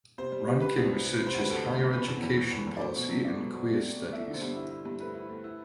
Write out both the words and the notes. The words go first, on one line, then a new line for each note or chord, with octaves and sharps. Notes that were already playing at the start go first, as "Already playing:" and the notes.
Rankin researches higher education policy and queer studies.
C3 C5
G3
G3
C3 B4
C2
C3
C3
C3
C5
D2 B4
D2 A4
D2
G3
B2 B4
E2
E2
E2
E2
E2
D5
A3 C5
B2
F#3
B2 D5
B2
B2
A3
C4
A3
A3 E5
D3
C5
G2
E4
E4
G2
A3 B4
E4
A3
E4